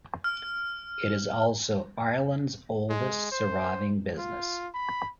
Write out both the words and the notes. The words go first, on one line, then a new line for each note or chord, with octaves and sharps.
It is also Ireland's oldest surviving business.
F6
G#3
C5
F4
B5